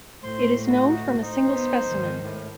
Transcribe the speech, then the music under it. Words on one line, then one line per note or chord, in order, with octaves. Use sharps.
It is known from a single specimen.
A2 C5 C6
D2 D#4 F#4
D#4 C5
B3
G#2 D#3
A2